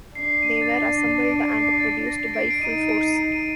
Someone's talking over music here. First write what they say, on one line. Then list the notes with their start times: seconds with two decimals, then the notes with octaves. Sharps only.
They were assembled and produced by Full Force.
0.15 D4 C7
0.43 D#7
0.62 A6
0.70 A#6
0.97 A#6
1.20 D#7
1.25 D7
1.52 C7
1.80 A6
2.07 A#6
2.28 C7
2.34 D7
2.51 D7
2.62 D#4 D#7
2.89 D7
3.17 D#7
3.32 D#7